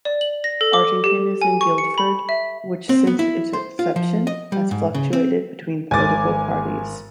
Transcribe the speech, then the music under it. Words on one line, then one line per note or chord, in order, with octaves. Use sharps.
Artington is in Guildford, which since its inception has fluctuated between political parties.
D5
F#7
A#6
A4
D6
G4
G#5
C#6
C#7
B5
E5
C4
B3
E4
C5
F4
F3
D#5
G3
G#2
C#3
C4
G#1 G#5 D6 A6